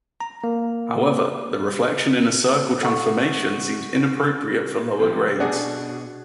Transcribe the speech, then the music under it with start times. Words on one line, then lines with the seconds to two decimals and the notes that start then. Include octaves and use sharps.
However, the reflection in a circle transformation seems inappropriate for lower grades.
0.20 A#5
0.44 A#3
2.81 A4 F#5 C#6
4.99 C3 F3
5.40 B2 D4 G#4 F#5